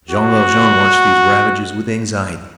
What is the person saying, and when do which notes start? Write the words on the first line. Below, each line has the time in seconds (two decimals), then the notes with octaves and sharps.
Jean Valjean watched these ravages with anxiety.
0.11 F#4